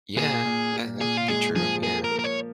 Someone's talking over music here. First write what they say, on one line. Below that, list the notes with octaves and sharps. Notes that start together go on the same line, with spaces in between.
Yeah, that that could be true, yeah.
A#2 G#4
A#2
A#2
A#2 G#4
F4
G#3 G#4
F3 G#4
A#3 G#4
A#4
A#3
A#4
C#5